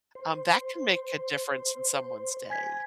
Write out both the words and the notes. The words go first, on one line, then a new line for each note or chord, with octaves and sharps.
um, that can make a difference in someone's day.
C5
G#5 G#6 B6